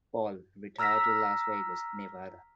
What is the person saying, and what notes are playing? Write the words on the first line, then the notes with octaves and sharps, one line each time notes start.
Paul retired to Las Vegas, Nevada.
A#5 E6 F6 A#6 B6